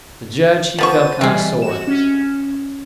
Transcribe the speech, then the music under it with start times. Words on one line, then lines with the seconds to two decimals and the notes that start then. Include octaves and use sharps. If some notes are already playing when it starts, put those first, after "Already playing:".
The judge he felt kind of sore.
0.78 F3 B3 C5 C#6 A6 D#7
1.21 C3 E3 G3 G#3
1.62 F#4 E7
1.87 C#4